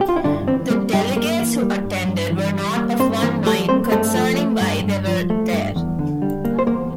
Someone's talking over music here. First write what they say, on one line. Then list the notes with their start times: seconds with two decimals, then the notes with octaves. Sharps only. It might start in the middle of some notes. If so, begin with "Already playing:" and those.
The delegates who attended were not of one mind concerning why they were there.
0.01 G4
0.09 F4
0.16 E4
0.24 G2 D3 D4
0.48 E3 C4
0.70 G3 A#3
0.93 G2 G3 G4
1.16 G2 A#3 A#4
1.40 E3
1.62 G3
1.85 G2
2.08 G2
2.30 E3
2.54 G3
2.77 A#3
2.99 G2 C4 C5
3.23 E3 A#3 A#4
3.46 G3 A3 A4
3.69 A#3 C4 C5
3.92 G2 A3 A4
4.14 F3
4.38 A3
4.61 G2
4.84 G2
5.07 F3
5.30 A3
5.52 G2
5.76 E2
5.99 D3
6.22 G3
6.45 A#3
6.59 C5
6.66 E2 A#3 A#4